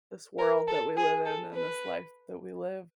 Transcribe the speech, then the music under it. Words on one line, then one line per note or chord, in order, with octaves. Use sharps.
this world that we live in, and this life that we live.
A#4
A4
G#4
A4
B4